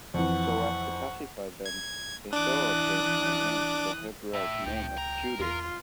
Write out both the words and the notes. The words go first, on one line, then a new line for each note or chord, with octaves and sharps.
So as to pacify them, Esau changed her name to the Hebraic name "Judith".
F2 E3 F#5 C#6
G#6
E3 D4 D6 D#6 F#6
A2 E5
C#2 G5
A#4 A#5
E2 F4